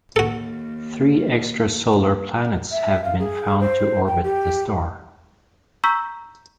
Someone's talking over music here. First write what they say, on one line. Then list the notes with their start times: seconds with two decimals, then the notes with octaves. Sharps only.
Three extrasolar planets have been found to orbit the star.
0.16 D#2 F#4 A4
2.71 E5
3.04 F5
3.19 G#4
3.60 C5
4.07 G5
4.24 G4
5.84 A#5 C#6 E6 G6 B6